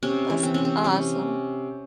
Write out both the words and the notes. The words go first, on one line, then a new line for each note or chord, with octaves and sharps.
That's awesome.
C3 C#4
E3
C4
C3 C#4
C4
C3 C#4